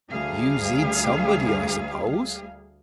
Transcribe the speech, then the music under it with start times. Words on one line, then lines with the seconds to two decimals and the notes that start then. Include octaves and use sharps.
"You zid somebody, I suppose?"
0.11 D2 G3 G#4 F5